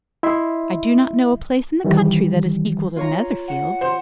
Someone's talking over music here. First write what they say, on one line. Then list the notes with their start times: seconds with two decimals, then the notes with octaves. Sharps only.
I do not know a place in the country that is equal to Netherfield.
0.23 E4 D#5 E5 B5 C6
1.84 D#3 E3 G3
2.96 F4 C#5 A#5
3.48 F#5
3.81 C5 C6